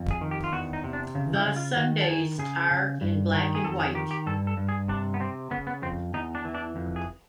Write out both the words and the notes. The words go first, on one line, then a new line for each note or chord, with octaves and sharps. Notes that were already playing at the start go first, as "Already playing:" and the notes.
The Sundays are in black and white.
Already playing: F2
G#4
D#3
G4
F4
E2 F#4
D#4
C3
D4
C#3
E4
C#3
F4
D#3 F#4
A4
D#3 G#4
C#3 G#4
C#3
G2
D#3
G#4
F2 A4
G#4
D#3 G4
G4
G2 A4
A4
G2
G#4
C3 D4
B3
C3 C4
C#3 B3
B3
F2 C4
E2 D#4
D4
E3
D4
F2
G#4